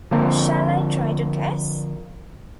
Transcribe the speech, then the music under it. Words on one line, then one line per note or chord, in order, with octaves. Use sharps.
Shall I try to guess?
D3 F3 A#3 C4